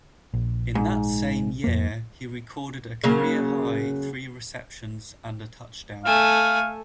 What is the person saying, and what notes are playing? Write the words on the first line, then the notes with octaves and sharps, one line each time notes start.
In that same year he recorded a career-high three receptions and a touchdown.
A#1
G#2
F2 A#3
C#3 F#3 A#3
A3 F5 G#5